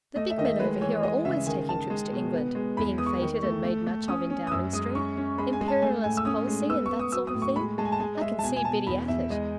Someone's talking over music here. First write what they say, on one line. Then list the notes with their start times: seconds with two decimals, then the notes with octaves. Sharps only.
The big men over here are always taking trips to England, being feted and made much of in Downing Street--Imperialist Policy and that sort of thing--I can see Biddy at it.'
0.16 A3 D#5
0.30 E5
0.38 D#3 D#5
0.45 E5
0.59 G#3 B4
0.81 E3 C#5
1.03 G#3 D#5
1.25 C#3 E5
1.46 D#3 G#5
1.69 D#3 A5
1.90 G#3
2.12 B2
2.33 B3
2.55 G#3
2.77 E2 B5
2.98 B3 D#6
3.06 C#6
3.21 D#3
3.43 A3
3.64 A3
3.86 A3
4.08 C#4 D#6
4.30 C#4
4.47 D#6
4.51 F#2 E6
4.73 G#3 D#6
4.95 C#4 C#6
5.17 C#4
5.38 G#3 B5
5.53 G#5
5.61 G#3
5.68 A5
5.82 A3 G#5
6.04 A2 G#5
6.17 E6
6.25 C#4 D#6
6.47 G#3
6.69 B3 E6
6.86 C#6
6.91 B3
6.99 D#6
7.12 F#3 E6
7.27 D#6
7.34 A2
7.42 C#6
7.56 G#3 B5
7.78 G#3 A5
7.85 G#5
7.92 A5
8.00 G#3 G#5
8.15 D#5
8.21 G#3 E5
8.39 A5
8.43 B2 G#5
8.56 G#5
8.65 B2 A5
8.87 E2 B5
9.08 E2 E5
9.30 G#3 D#5